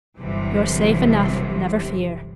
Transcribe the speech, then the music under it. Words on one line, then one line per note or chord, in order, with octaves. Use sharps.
"You're safe enough, never fear."
G1 C2 C3 E3 F#3